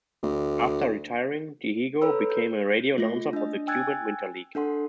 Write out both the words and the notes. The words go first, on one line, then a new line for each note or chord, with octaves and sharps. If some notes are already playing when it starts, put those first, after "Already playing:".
After retiring, Dihigo became a radio announcer for the Cuban Winter League.
D2
A4 B4 C#5 A#5 B5 E6
G6
A3 F4 A#6
D4 D#5
G5 G#5 E6 F#6 G#6 A6
D4 A4 F#5 C6